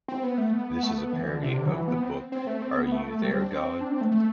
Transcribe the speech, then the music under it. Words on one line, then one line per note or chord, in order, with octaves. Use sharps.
This is a parody of the book Are You There God?
C4
B3
A3
B3
A3
B3
E3
D3
C3
D3
F#3
E3
B3
C4
C4
A3
C4
B3
A3
G3
C4
D4
C4
D4
C4
A3
A3